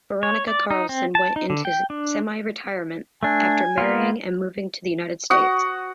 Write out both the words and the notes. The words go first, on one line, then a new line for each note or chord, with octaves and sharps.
Veronica Carlson went into semi-retirement after marrying and moving to the United States.
C#5
D5
D#4
C4
A5
D#4
D3
G5
D4
A3 D4 G#5
A#3 B3 F4
F#4 F#5 D#6